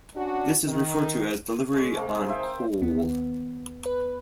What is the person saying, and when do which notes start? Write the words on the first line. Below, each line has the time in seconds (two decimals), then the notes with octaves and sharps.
This is referred to as "delivery en caul".
0.16 C#4 D4 F#4
0.67 D#3
1.74 G#3 C#4
1.95 C3 G#3 A#3
2.14 D#4 G#4
2.28 C5 E5 F5 G5
2.81 D#2 B3
3.86 B4